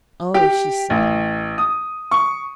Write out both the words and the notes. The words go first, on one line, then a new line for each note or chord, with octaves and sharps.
"Oh," she said.
G4
A1
D#6
C#6